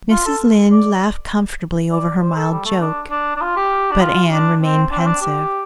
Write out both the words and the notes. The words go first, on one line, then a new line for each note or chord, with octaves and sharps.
Mrs. Lynde laughed comfortably over her mild joke, but Anne remained pensive.
F4
A4
D5
D5
C5
A4
G3
A3
D4
D4
D4
F4
G4
D4
F4
D4
C4
D4
C4
D4
G4